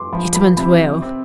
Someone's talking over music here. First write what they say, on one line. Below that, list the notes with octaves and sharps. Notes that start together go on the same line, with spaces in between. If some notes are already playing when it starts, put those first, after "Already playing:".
It went well.
Already playing: C6 D6
F3 B5
B5
C3 B5
C4